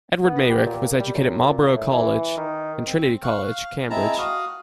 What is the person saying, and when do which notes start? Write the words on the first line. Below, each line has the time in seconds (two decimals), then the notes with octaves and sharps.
Edward Meyrick was educated at Marlborough College and Trinity College, Cambridge.
0.24 B3
0.50 G4
0.66 A#2
1.00 G3
1.14 F#2
1.47 A#2
1.74 A2
1.92 E3
2.37 D#3
2.85 C4
3.24 F5 C#6 F#6
3.44 F5
3.90 G#3 C4 E4 A5 A#5
4.18 F#4 F5 D#6